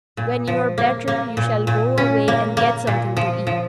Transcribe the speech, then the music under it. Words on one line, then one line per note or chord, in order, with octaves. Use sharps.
When you're better you shall go away and get something to eat.
A#2
F3
A#3
A#3
A#2
A#2
C#4
A#3
A#3
A#2
F3
F3